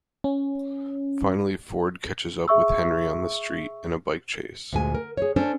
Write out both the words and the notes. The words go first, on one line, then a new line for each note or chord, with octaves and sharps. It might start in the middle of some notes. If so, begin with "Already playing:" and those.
Finally Ford catches up with Henry on the street in a bike chase.
C#4
G#4 E5 C#6 E6
D2 A#2 G#3 G#5
A#4
G#4 C#5
C#4 D4 A4 C5